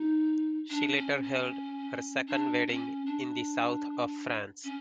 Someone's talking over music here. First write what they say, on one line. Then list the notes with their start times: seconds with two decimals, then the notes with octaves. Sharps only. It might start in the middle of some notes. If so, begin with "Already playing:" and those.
She later held her second wedding in the South of France.
Already playing: D#4
0.70 D4
0.97 C#4
1.23 C#4
2.28 D4
2.68 C#4
3.06 D4
4.64 C#4